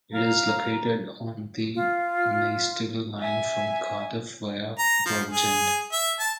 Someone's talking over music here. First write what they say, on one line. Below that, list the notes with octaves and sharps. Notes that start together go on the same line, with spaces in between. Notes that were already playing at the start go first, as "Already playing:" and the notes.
It is located on the Maesteg Line from Cardiff via Bridgend.
F5 A#5
F4
E5 G#5
A#5
F3
G#4
E5
A5